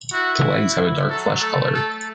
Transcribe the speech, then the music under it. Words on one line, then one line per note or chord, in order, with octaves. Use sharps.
The legs have a dark flesh color.
E4 F#4
F#3 A4
A3 A4
A4